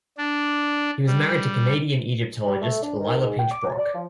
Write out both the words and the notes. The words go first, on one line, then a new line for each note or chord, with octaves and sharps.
He was married to Canadian Egyptologist Lyla Pinch Brock.
D4
G3
G3
A3
D4
D#3
G#2
G5
D6
F#3
D5
F3